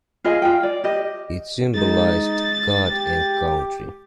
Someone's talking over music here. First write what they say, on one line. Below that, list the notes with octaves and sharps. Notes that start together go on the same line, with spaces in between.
It symbolized God and Country.
F4 G#4 D#5 G#5
F4 G5
D5
G4 D#5
G#3 D#4 A6
G4